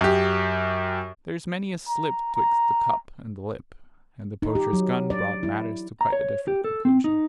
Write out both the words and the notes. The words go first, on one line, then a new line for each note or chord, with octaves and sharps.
"There's many a slip 'twixt the cup and the lip;" and the poacher's gun brought matters to quite a different conclusion.
F#2 G4
A#5
A#5
D#4
G4
F#3
D5
E4
A#5
C#5
G4
A4
C4
D#4